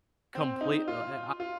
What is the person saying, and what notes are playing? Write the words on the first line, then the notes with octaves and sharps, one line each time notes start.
complete li l I
C4
D#4
F4
F4